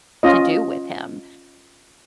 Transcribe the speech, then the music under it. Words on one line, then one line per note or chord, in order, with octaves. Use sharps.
to do with him,
C#4 F4 D#5